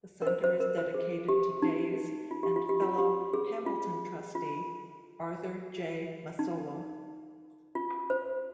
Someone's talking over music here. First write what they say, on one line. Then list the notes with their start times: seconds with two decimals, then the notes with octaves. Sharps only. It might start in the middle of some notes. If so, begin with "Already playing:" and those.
The center is dedicated to Days and fellow Hamilton trustee Arthur J. Massolo.
0.22 A#4
0.27 C5
0.44 C5
0.60 A#4
0.78 C5
0.94 G#4
1.29 G4
1.62 D#4
2.31 F4
2.43 G4
2.56 F4
2.69 G4
2.82 F4
2.98 G4
3.34 G#4
3.66 F4
4.35 F4
6.39 D#4
7.75 F4
8.10 C5